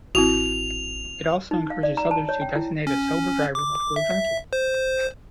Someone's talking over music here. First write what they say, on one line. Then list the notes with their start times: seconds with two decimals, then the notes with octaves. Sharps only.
It also encourages others to designate a sober driver before drinking.
0.15 A1 C4 E4 F#4 F7
1.51 D#4
1.70 F5
1.83 D5
1.97 A#5
2.11 A5
2.29 C#5
2.41 G5
2.56 E4
2.87 C#4
3.55 D6
3.96 E5
4.53 C5